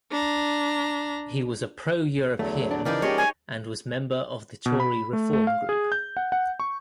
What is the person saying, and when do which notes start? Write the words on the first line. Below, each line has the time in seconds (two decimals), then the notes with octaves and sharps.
He was a pro-European, and was member of the Tory Reform Group.
0.11 D4 A#5
2.39 E2 D3 F#3 A3
2.71 D4
2.85 C#3 E3 F3 D#4 G4 G#4 A#4 D5
3.02 G#3 C#4 G4 C#5 D#5
3.18 G#5
4.66 B2
4.80 B5
5.13 A3
5.33 A3
5.47 F5
5.69 G#4
5.92 G6
6.17 F#5
6.32 F#5
6.60 C#6